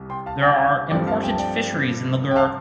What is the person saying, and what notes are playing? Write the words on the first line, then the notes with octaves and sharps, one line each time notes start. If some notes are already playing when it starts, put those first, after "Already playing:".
There are important fisheries in the Gur.
Already playing: C2 C3 G3
G5 C6
F5 A5
D5 G5
G2 F3 A3 C4 D5 G5
F5 A5
G5
A5
D5 G5
G5
F5 A5